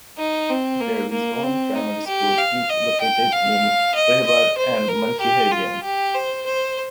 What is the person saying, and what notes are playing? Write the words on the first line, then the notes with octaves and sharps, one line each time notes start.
There is one primary school each located in Rehburg and Münchehagen.
D#4
C4
A#3
A#3
C4
D#4
G4
F5
D#5
G5
F5
D#5
D#5
C5
A#4
G4
F4
G4
C5
C5